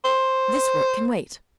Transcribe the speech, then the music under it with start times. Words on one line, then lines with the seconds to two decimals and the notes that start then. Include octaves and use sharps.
'This work can wait.
0.05 C5